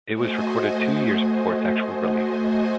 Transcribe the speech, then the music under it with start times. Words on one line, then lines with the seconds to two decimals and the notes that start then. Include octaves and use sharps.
It was recorded two years before its actual release.
0.12 A3 F#4 C5 D#5 G#5